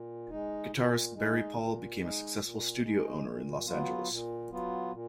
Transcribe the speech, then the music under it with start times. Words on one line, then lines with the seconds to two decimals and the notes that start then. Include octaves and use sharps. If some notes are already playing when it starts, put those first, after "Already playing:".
Guitarist Barry Paul became a successful studio owner in Los Angeles.
Already playing: A#2
0.29 G#3 D#4
0.71 A#2
1.14 G#3 D#4
1.56 A#2
1.98 G#3 D#4
2.39 A#2
2.82 G#3 D#4
3.24 A#2
3.66 F#3 B3 F4
4.08 A#2
4.50 F#3 B3 F4
4.92 A#2